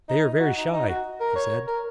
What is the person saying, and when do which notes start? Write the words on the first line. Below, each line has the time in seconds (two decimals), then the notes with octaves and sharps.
"They are very shy," he said.
0.09 D#4
0.33 D#4
0.40 F#4
0.57 D#4
0.72 D#4
0.88 F#4
1.20 A#4
1.36 C#5
1.67 A#4